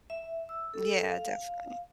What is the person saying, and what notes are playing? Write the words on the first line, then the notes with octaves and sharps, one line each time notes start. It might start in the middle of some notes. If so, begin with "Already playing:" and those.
Yeah, definitely.
E5
E6
A4
F5